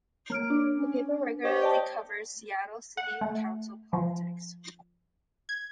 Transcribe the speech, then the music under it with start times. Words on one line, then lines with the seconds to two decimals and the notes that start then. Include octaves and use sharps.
The paper regularly covers Seattle City Council politics.
0.30 A#3 C#5 F6 D7
0.50 D4
0.76 C#4
1.44 G4 C5 C#5 D#5
1.62 D5 G5 A5
2.97 F#5
3.21 A3
3.93 F3
5.49 G#6